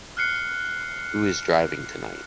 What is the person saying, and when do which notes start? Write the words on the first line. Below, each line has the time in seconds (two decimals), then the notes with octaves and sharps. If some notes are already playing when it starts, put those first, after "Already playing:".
Who is driving tonight?
0.17 F6 F#6 C7 C#7